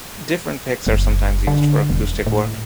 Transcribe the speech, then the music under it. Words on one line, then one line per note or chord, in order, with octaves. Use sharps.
Different picks are sometimes used for acoustic work.
F#1
D3
E1
A2